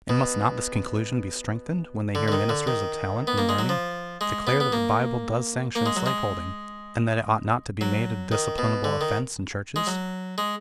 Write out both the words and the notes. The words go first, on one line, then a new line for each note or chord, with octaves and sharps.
And must not this conclusion be strengthened, when they hear ministers of talent and learning declare that the Bible does sanction slaveholding, and that it ought not to be made a disciplinable offence in churches?
B2
D3
D3
D#3
D3
D#3
B3
A#3
G#3
F#3
F3
G#3
B3
B3
A#3
A#3
G#3
F#3
G#3
F#3
D#3
B2
D3
D#3
G#3
F#3
G#3